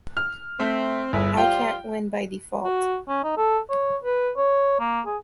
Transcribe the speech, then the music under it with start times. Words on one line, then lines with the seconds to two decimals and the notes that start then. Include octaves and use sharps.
I can't win by default.
0.17 F6
0.60 A3 C4 E5
1.13 G1 E4 G#4 E5
1.37 F3 G3 F4 G5
2.65 F#4
3.08 C#4
3.24 D#4
3.38 A4
3.70 C#5
4.04 B4
4.37 C#5
4.80 A#3
5.06 G#4